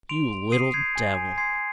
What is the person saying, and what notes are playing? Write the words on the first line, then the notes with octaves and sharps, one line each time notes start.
"You little devil!"
C6 D7 F7
C6
D#6 C7 D#7
G6 G#6 C7
G#5
G#5
C6 G#6 C7